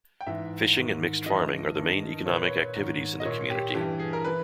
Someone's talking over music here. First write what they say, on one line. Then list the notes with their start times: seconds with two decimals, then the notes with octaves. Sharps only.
Fishing and mixed farming are the main economic activities in the community.
0.21 G5
0.27 G#2 E3 E5
0.77 G#2 D#3
1.26 G2 E3 D#5
1.76 G2 D#3
2.26 A#2 C#5
2.36 B4
2.46 C#5
2.76 G#2 D#3
3.20 D#5
3.25 A#2 C#5
3.50 G4
3.75 G2 E3 G4
3.99 G#4
4.13 A#4
4.25 E3 B4